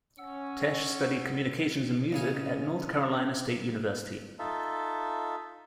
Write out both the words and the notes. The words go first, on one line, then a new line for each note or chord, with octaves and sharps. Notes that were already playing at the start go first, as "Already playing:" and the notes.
Tesh studied communications and music at North Carolina State University.
C#4 F#5 E6
A1 C#3 C#4 G#5
D#4 F4 A4 E5